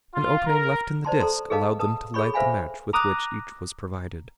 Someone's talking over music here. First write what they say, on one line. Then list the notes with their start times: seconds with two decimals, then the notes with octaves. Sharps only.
An opening left in the disc allowed them to light the match with which each was provided.
0.14 F4
0.47 A#4
1.05 C5 D5 A5 C6
1.20 A4 A5 A#5 C6
1.50 G#4 A4 B4 D#5 F5 A5
1.79 B4 A5 D#6
2.14 G#4 A4 C#5 B5 C#6
2.34 B4 C5 E5 F5 G#5 B5
2.93 A#5 D6 D#6 F#6